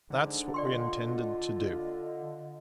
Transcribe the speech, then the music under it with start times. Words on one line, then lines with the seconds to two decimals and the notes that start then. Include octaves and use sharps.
That's what we intended to do.
0.10 G#2 D3
0.54 F4 D5 D#5 G5 C6